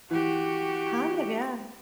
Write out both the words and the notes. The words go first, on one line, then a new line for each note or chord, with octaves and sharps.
Kind of, yeah.
E3 F#4 G4